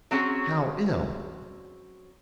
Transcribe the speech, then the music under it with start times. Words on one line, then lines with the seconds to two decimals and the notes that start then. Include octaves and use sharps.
"How ill?"
0.11 F#3 C4 C#4 G#4